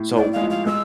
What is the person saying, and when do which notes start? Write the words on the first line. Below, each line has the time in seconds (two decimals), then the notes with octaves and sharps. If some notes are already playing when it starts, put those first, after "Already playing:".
So the
Already playing: A2
0.16 A2 D5
0.32 G#3 F5
0.41 F3
0.50 F5
0.66 G#3 E6